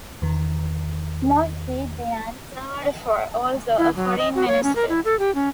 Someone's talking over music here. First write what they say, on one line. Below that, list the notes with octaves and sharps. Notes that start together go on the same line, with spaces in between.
Moshe Dayan served also as Foreign Minister.
E2 D#3
E4
F#3
D#5
F#4
C#5
C#4
A#4
E4
A4
G4
C#4